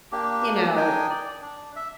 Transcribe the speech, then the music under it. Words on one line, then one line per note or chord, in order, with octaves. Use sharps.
you know
A#3 D4 G4
D4 D#4 G5 G#5
D5
D4
E5